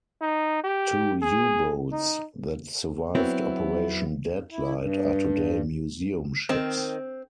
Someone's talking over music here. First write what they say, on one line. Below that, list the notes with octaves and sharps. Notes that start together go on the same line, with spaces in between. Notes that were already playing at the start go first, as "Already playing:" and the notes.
Two U-boats that survived Operation "Deadlight" are today museum ships.
D#4
G4
G#4
D#4
F#3 B3 C4 E4
E4
G2
D#3 C4